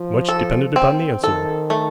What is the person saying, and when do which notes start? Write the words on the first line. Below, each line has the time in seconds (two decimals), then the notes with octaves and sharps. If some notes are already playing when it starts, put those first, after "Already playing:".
Much depended upon the answer.
Already playing: F3
0.28 A4
0.76 C4
1.23 D#3 A4
1.70 A3